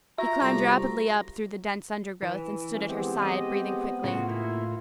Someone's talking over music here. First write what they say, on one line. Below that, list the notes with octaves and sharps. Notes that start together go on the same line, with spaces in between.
He climbed rapidly up through the dense undergrowth, and stood at her side, breathing quickly.
F4 F#4 E5 A#5
C2 A4
E3
A3 C#4
G#3 B3 C4 G4
D#5
A2 C#3 F4 F#4
A#3 E4